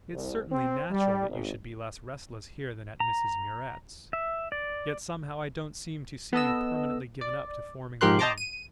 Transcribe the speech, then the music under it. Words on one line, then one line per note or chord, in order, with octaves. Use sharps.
"It's certainly natural that you should be less restless here than at Mrs. Murrett's; yet somehow I don't seem to see you permanently given up to forming the young."
C2
C4
G3
G#1
A#5
E5
D5
B3 A4 D#5 E6
D5
G#2 F3 G4 A#4 C6 F#6
D#5 G5 A5 A#5 C6 D6
D#7